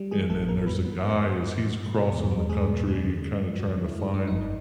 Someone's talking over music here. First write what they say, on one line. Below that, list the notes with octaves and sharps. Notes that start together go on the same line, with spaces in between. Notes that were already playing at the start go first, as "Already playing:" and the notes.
And then there's a guy as he's crossing the country, kinda trying to find,
Already playing: G3
E3 G#3 G#4
A1 A3 A4
A2 A#3 A#4
G3 B3 B4
E3 B3 B4
G2 B3 B4
G3 A#3 A#4
G2
E3
G2
B2
E2
G3
E2 G#3 G#4
B2
E2
D3
G#3
F3
D#2 F#3 F#4
D3
E4
G#3
D#4
G2 D4
G1 D#4